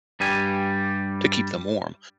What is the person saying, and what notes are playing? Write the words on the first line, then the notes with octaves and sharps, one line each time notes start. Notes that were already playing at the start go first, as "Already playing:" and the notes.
to keep them warm.
G2 G3 G4 G#5